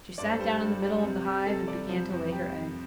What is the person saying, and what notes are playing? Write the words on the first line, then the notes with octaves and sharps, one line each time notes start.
She sat down in the middle of the hive and began to lay her eggs.
G2 D5
C5
A4
G3 C5
G2
G3
C3
G3
C3 A4
G3 D5
F3 C5
F2
G4